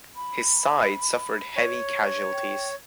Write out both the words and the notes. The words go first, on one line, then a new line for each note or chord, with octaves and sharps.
His side suffered heavy casualties.
B5
C#5
G5